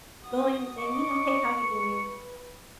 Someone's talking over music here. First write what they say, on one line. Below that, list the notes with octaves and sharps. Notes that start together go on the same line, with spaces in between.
going and saying, you know, "Hey, how you doing?"
F#4 D#6
D#5 C#6 D6
B4